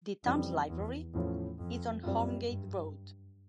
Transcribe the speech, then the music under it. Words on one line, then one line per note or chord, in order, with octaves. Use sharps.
The town's library is on "Holmgate Road".
F2 C#3 E3 G3 C4
E2
E2 A2 F3 A3 C#4 F4
F2
F#2 G3 C4 F4
G2